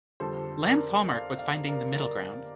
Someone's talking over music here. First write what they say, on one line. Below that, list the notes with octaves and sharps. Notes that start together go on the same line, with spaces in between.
Lamb's hallmark was finding the middle ground.
F2 D3 G3 A4 C5
A#4 D5
D5 F5
D5 F5
A#4 D5
A#4 D5